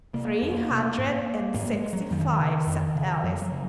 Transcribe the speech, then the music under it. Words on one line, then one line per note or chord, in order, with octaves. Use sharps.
'Three hundred and sixty-five,' said Alice.
C3 A#3
F2 A#3
C3
G#2
G#2 A#3
G#3
F#3
F2 D#3
C#3
F2
C#3
F#2 F3
F#3
C#3